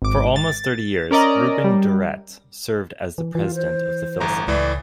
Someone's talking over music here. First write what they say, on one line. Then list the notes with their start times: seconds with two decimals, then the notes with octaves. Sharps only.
For almost thirty years, Reuben Durrett served as the president of the Filson.
0.02 G#1 D6
0.36 A6
1.11 C#4 A#4 D5 D#5 A#5
1.64 G3
3.18 E3
3.35 E3 F4
3.55 C5
4.20 G1 A2 A#5
4.48 C#2 A2 E3 D5